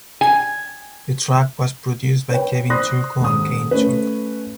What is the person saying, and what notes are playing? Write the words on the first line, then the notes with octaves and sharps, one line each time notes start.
The track was produced by Kevin Churko and Kane Churko.
G#5
B4 C#5 G5
C5 D5 C6 D#6 F#6 A#6
D#1 G#2 D#6
A3 C#4 B4